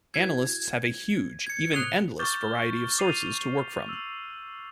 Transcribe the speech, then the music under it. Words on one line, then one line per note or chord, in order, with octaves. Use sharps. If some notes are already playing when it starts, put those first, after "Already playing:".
Analysts have a huge, even endless, variety of sources to work from.
E4 F#4 B4 G#6
G#6 C#7
A2 C3 D#6 F#6 F7 G7
C#6 D6 F6 G6 A6 G7
D6 C7 D#7 F7
E6